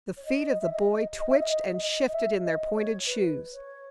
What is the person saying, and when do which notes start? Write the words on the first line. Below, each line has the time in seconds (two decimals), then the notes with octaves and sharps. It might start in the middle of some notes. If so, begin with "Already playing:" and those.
The feet of the boy twitched and shifted in their pointed shoes.
0.17 C#5
0.25 D#5
0.61 E5
0.72 D#5
1.19 D#5
1.29 E5
1.39 D#5
1.50 D#5
1.81 D#5
2.08 D#5
2.12 E5
2.43 D#5
2.75 C#5
3.06 B4
3.53 C#5